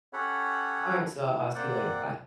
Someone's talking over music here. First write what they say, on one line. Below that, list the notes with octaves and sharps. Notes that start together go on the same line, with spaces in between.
all right, so I'll see you later, bye.
C#4 G4 A4 C#5 F#5 B5
E4
A#3 C4 D5 F#5 G5